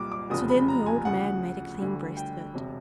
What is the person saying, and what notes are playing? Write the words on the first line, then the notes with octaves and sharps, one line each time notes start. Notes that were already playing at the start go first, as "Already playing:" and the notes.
So then the old man made a clean breast of it.
Already playing: C2 A#2 G3 D6
D6
F1 E2 C#3 F3 D#6
B5
A#5
G#5
D2 C#3 F3 F#5
D2 D3 G3
G5
E1 C3